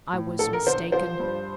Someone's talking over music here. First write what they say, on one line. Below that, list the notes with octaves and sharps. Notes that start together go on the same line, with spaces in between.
I was mistaken.
A2
A#1 A4
A#4
A#1 C5
F3 C5
G2